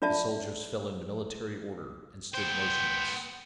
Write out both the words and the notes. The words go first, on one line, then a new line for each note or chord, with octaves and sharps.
The soldiers fell into military order, and stood motionless.
D4 F4 D5 E5 A5
B3 C5 G5